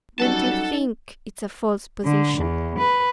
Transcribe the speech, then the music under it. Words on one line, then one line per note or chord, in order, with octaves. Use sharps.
"Don't you think it's a false position?"
F#3 G3 C#4 D#4 A4 F#5 A5
D3
E2
B4